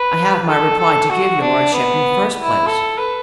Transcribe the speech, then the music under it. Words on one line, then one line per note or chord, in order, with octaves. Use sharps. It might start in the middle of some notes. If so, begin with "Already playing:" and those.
"I have my reply to give your lordship, in the first place."
Already playing: B4
A4
A4
F#4
D4
B3
E4
A4
B4